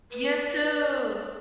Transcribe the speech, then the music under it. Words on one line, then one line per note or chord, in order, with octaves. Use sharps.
You too.
B4